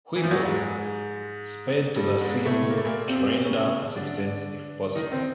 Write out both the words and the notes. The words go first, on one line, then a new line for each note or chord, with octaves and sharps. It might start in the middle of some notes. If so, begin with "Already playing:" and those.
"Whipple" sped to the scene to render assistance if possible.
E3
F3
F#3
G3
G#2 G#3
G2 G3
G#2 G#3
A2 A3
A#3
A3
A#2 A#3
C3 C4
C#3 C#4
D3 D4
D#3 D#4
C4